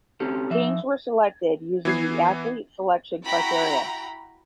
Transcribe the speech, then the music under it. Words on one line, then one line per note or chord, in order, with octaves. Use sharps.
Teams were selected using the Athlete Selection criteria.
C4 C#4 G4 A4
F3 E5
E3 B3 G#6 C7
E4 F#4 G5 A#5 B5